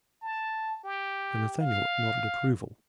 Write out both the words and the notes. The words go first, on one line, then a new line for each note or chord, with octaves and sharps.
Sir Nathaniel nodded approval.
A5
G4
F5